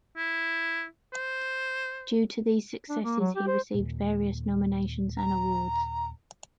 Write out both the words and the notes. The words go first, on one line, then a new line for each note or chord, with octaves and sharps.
Due to these successes he received various nominations and awards.
E4
C5
D4
A#3
F#3
G4
C5
D#2 A#2
A#5